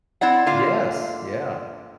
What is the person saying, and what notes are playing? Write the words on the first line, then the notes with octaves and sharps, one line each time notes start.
yes. Yeah.
C4 E4 D5 F#5
D3 A#3 F4 F5